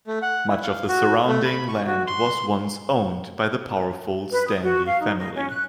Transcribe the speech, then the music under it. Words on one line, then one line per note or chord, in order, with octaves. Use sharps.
Much of the surrounding land was once owned by the powerful Stanley family.
A3
F#5
E4
F5
F#4
A3
B5
C#6
F#4
C6
B4
D#6
F#4
F5
D#4
D#5
C#4
F#6